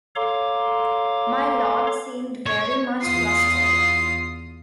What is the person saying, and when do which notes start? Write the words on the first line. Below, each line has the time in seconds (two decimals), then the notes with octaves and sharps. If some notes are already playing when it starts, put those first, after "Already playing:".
My Lord seemed very much flustered.
0.16 A4 C#5 F5 A#5 C6 D6
2.46 C#5
3.03 E2 F4 D#6 C7